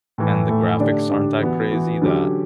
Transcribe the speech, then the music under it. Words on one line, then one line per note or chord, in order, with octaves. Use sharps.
and the graphics aren't that crazy that
A2 E3 A3
A2 E3 A3
D3 A3 D4 G4 D5
D3 A3 D4 G4 D5
E3 B3 F#4
E3 B3 F#4
D3 F#3 C#4 G4